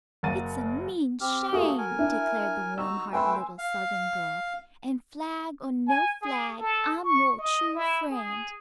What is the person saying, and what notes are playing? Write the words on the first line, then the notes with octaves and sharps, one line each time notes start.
"It's a mean shame," declared the warm-hearted little southern girl, "and flag or no flag, I'm your true friend."
F#1 A#3 A#4 F#5 A6 D#7
C4 G4 F6
A3 A#3 F#4 G#4 A4
A#4 G#5
D4 E4
D#4 F#4 E6
A3 B4 G5 G#5 C6 E6
F5
G#5
G#4
A4
C#6
D#5
E4
G#4